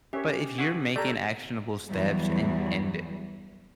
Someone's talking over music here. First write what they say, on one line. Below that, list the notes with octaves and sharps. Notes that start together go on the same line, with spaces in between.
but if you're making actionable steps and and
C#4 G4 A#4 C#5 E5
E4 G#4 B4 F#5 C#6 D#6
A3 A#3 G4 A4 D5 A#5
E2 E3 F#3 G3